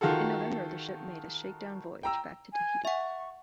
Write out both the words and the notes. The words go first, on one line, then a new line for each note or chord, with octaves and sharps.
In November, the ship made a shakedown voyage back to Tahiti.
D#3 F4 F#4 G#4 A4
G5 A#5 E6
G#5
E5 F#5 C#6